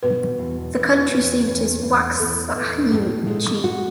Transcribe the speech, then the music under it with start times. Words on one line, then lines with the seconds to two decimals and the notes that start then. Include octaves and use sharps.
The county seat is Waxahachie.
0.03 B2 B4
0.38 E2
0.75 E2 B4
1.11 E2 B4
1.47 E2
1.83 E2
2.19 E2 A4
2.55 E2 B4
2.91 A2 A4
3.27 G#3 G#4
3.64 F#4